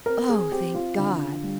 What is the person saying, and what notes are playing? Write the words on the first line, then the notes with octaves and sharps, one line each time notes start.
Oh, thank God!
C4 A#4
G#4
C4 G4
F4
D3
G3